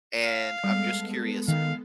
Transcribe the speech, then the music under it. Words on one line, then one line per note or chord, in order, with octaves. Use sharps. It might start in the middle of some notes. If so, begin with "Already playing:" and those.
and I'm just curious,
F5
G3 G#3 B3 A4
D#3 F5